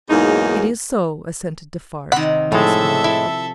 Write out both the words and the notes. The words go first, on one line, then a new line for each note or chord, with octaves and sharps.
"It is so," assented Defarge once more.
E2 G#2 F#3 A#3 D#4
C3 D#3 F#5 B5
A2 F3 G#3 A4 E5
E4